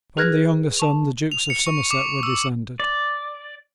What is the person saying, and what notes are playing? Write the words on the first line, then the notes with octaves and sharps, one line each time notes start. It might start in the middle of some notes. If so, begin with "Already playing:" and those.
From the younger son the Dukes of Somerset were descended.
G#4 B4 F6 F#6 G#6 A#6
A5 C#6 F7
F7
C#7
C#6
D6
E6
D5